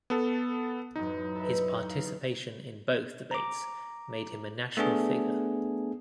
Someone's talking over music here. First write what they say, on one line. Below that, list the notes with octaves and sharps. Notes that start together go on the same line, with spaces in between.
His participation in both debates made him a national figure.
B3 A4
A1 F#2 D#4
A4 B4 E5
F5
A#5 D6
A3 B3 D4 G#4